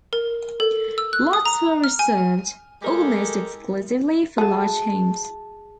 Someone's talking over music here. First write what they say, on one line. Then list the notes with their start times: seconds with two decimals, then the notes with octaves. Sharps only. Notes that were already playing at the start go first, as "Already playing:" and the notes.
Lots were reserved, almost exclusively for large homes.
0.13 A#4
0.60 A4
0.98 E6
1.13 F#6
1.33 D#6
1.46 A#5
1.84 F6
1.99 G#5
2.82 G#3 G4 A4 A#4
4.38 F#3 A3 G#4 A5